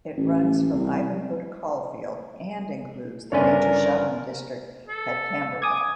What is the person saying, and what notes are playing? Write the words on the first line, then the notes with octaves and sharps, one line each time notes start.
It runs from Ivanhoe to Caulfield and includes the major shopping district at Camberwell.
A1
C2
G1 C#3 D4 A#4 C#5 D5 G#5
A4
G#5 D6 D#6 G#6